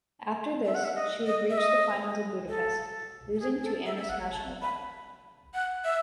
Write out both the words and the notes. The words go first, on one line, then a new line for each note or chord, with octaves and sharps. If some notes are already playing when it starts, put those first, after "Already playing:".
After this, she would reach the finals of Budapest, losing to Anna Smashnova.
E5
F#5
E5
D#5
D#5
E5
D#5
A4
A4
G#4
A4
E5
E5
F#5
A5
B5
F#5
E5